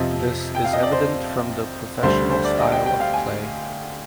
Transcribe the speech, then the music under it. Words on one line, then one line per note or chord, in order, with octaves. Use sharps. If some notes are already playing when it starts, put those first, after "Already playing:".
This is evident from the professional style of play.
Already playing: F2 C3 F3 D#5
G5
F5
D#5
D5
C5
D2 D3 G3 C5
C5
D5
D#5
G5
G5
F5
G#5